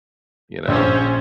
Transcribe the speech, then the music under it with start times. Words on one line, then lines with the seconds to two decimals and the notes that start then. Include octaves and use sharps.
You know,
0.68 A#1 C#4 C5 E5